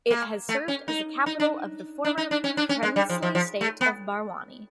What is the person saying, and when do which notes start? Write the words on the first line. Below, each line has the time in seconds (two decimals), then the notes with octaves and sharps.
It has served as the capital of the former princely state of Barwani.
0.10 A#3
0.49 A3
0.68 C#4
0.88 D#4
1.26 D#4
1.40 D4
2.05 D4
2.18 D#4
2.31 D4
2.44 C#4
2.57 D4
2.69 C#4
2.83 G#3
2.96 G3
3.09 F3
3.23 F3
3.35 F3
3.61 A3
3.81 B3